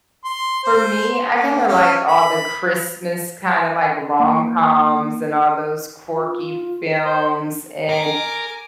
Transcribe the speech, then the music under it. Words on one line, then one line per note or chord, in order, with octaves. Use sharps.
for me, I kinda like all the Christmas kinda like rom-coms and all those quirky films and,
C6
C5
A#3
C#4
B5
A#3
F4
C5 D#5
A#4 G#5 D6